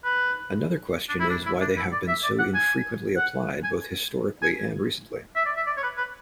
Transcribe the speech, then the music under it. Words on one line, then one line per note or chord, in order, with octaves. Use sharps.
Another question is why they have been so infrequently applied both historically and recently.
B4
D4
E4
D4
E4
D4
E4
D5
E5
D5
F#5
G#5
F#5
G#5
G#5
E5
D5
E5
D5
C#5
B4
B4